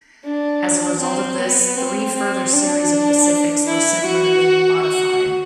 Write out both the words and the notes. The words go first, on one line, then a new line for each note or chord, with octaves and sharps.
As a result of this, three further series of Pacifics were similarly modified.
D4
C4
B3
C4
C4
D4
E4
F#4
F#4